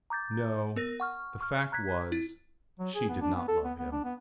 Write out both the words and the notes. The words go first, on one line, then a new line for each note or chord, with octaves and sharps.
No, the fact was, she did not love him.
A#5 D6 G6 A6
B3 A#4 A#6
F#5 C#6 F6
C#6 F6
A#5 F#6 G#6 B6
E4
F#3
G#4
B3
D4
B3
A4
B3
B3
D4
B3